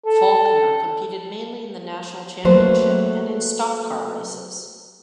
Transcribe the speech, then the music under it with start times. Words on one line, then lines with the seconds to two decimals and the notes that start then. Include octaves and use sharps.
Faulkner competed mainly in the National Championship and in stock car races.
0.06 A4
2.45 F#3 A3 A#3 B4 C5